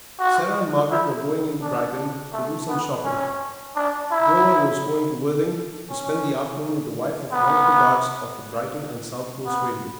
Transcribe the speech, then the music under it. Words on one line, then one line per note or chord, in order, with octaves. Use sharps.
Sarah and Margaret were going into Brighton to do some shopping, Grover was going to Worthing to spend the afternoon with the wife of one of the guards of the Brighton and South Coast Railway.
F#4
E4
D4
A3
B3
C#4
D4
E4
C#4
B3
B3